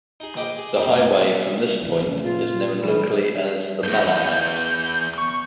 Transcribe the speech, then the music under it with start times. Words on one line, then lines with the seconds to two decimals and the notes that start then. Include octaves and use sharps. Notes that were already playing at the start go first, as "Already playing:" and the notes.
The highway from this point is known locally as the Malahat.
0.20 D#4 G#4
0.36 A#1 B4 D#5 G5 D6
0.58 G#4
0.75 F#2 C4 D#4 E5
0.90 A3 A#3 D#4
1.05 C#4
1.82 G#1 F2 E3
2.07 C#3 A3
2.24 A#2 F4
2.80 E3 G3
3.83 E2 G2 G6
5.18 C#6